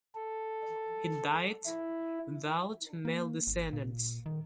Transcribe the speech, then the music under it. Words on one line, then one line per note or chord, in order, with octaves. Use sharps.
He died without male descendants.
A4
E4
A#3
G1
A#2
D#3